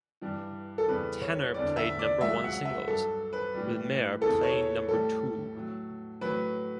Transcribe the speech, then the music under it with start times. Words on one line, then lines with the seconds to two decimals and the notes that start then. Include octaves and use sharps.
Tanner played number one singles, with Mayer playing number two.
0.22 G2 E3 G3
0.78 A4
0.88 E2 C#3 E3 G3 B4
1.22 C#5
1.54 E2 D3 G3 D5
1.77 E5
1.99 D5
2.21 C#2 C#3 F#3 E5
2.44 F#5
2.65 E5
2.87 G2 F#3 A4
3.33 B4
3.54 A2 E3 G3
4.21 E2 C#3 E3 A4
4.43 C#5
4.88 A2 G3 A4
5.55 A2 F#3
6.21 A2 F#3 B4